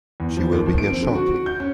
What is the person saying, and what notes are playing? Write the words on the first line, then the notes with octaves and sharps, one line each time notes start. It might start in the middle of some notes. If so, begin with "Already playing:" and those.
She will be here shortly.
E2
F3
D#2
F3
D7
C4
D3
F#4
F#4
G6
C#4